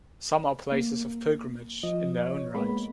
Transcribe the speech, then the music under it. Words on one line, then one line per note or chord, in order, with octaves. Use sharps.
Some are places of pilgrimage in their own right.
A#3
F3 D#5
C#5
G#3 A#3 B3 B5